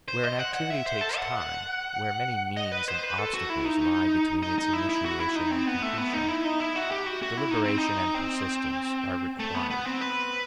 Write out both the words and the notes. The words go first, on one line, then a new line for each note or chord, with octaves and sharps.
Where an activity takes time, where many means and obstacles lie between its initiation and completion, deliberation and persistence are required.
C5
D#5
F#5
F#5
E5
C5
A4
F#5
D#5
B4
C5
B4
A4
F#4
E4
D#4
D#4
D#4
E4
E4
F#4
E4
D#4
C4
B3
A3
B3
D#4
E4
D#4
E4
F#4
G4
F#4
F#4
E4
D#4
C4
D#4
C4
A3
B3
B3
C4
B4